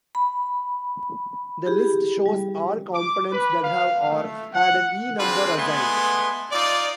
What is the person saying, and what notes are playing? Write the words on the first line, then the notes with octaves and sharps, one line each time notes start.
The list shows all components that have or had an E-number assigned.
B5
E4 G4 G#4
G3
D6
B4
F5
A3
F#5
C4 D4 F4 G#4 B4
G#3 A3 B3 G#5 C6
D#4 F4 D5